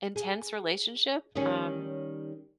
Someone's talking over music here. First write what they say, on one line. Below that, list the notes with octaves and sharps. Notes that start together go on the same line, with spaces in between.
intense relationship, um
G#4
D#3 G3 C#4